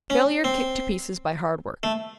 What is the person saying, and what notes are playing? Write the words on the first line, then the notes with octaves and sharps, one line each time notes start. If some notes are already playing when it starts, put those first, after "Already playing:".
Failure kicked to pieces by hard work.
C#4
C4
A3